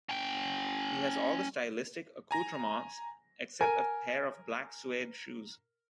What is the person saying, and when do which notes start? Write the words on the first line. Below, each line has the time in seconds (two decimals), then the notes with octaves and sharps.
He has all the stylistic accoutrements, except a pair of black suede shoes.
0.09 C#4 G5
2.31 G#5 A#5 A#6
3.61 A#4 G#5